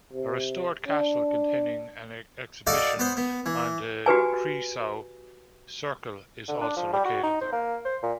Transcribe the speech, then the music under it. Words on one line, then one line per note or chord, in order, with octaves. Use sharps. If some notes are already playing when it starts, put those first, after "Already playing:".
A restored castle containing an exhibition on the Kreisau Circle is also located there.
C3
D4
D#4 F#4 A4 D5 F5 A5
B3 B4 C5
B3
E3
F#4 G4 B4 G#5
D3
D4
F3
G3
F#4
D#4
C5
A#3
C5
A#2